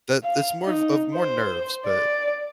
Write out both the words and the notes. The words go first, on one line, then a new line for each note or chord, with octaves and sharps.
that that's more of of more nerves, but
F5
D#4
C5
D5